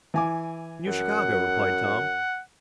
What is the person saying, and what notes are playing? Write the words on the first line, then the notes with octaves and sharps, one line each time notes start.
"New Chicago," replied Tom.
E3 G#5 D6
F#2 F#5